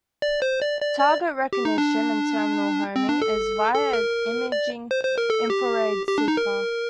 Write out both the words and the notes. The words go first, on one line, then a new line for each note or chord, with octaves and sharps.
Target recognition and terminal homing is via an imaging infrared seeker.
D5
C5
D5
D5
D5
G4
D#4
D4
C4
D4
A4
A4
A#4
D5
C5
C5
A#4
A4
G4
G4
D4
D#4
A#4